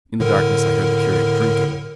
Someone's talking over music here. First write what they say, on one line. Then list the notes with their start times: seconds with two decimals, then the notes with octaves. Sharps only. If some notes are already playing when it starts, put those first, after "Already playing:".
In the darkness I heard the curate drinking.
0.20 A2 D3 A#4